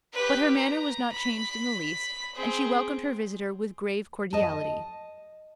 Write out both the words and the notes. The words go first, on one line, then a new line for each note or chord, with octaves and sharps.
But her manner was not changed in the least, and she welcomed her visitor with grave cordiality.
G4 B4
A#5
B5
C4 G#4
D#5 A5